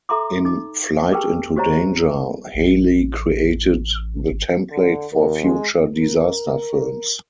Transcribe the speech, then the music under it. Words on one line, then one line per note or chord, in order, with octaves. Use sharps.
In "Flight into Danger", Hailey created the template for future disaster films.
A4 E5 A#5 C6 D6
D#4 D6
G4 G#4 A#4 B4 G5 A5
F#4 G4 C5 C#5 D#5 A#5
A1
G#1
D3
D#2 A#4
G#3
A#4